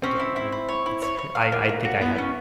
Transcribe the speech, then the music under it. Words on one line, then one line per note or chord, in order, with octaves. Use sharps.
Yeah, I mean, it's I I think I had
C4 C#4
E4
E4
E4
C#5
E4
C#5
C#5
F5
A#3
A#3
F#4
B3 E4
C#4